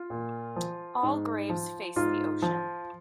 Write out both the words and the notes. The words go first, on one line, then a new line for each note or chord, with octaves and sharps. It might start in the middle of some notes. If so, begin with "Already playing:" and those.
All graves face the ocean.
Already playing: F4
A#2
F3
G#2
F3
G#2 F4
F3